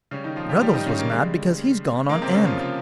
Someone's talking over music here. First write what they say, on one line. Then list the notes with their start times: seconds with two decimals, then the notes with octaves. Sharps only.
Ruggles was mad because he's gone on Em.
0.11 C#3 G3 C#4
0.24 D#3 D#4
0.36 F3 F4
0.49 G3 G4
0.61 G3 G4
0.73 D#3 D#4
0.85 C#3 C#4
0.99 A#3
1.10 C#3 G3 G#3
2.09 C#3 G#3 A#3
2.22 C3 C4
2.34 C#3 C#4
2.47 F3 F4
2.59 F3 F4